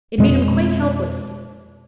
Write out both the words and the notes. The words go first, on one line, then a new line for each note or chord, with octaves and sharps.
It made him quite helpless.
F2 B2 G#3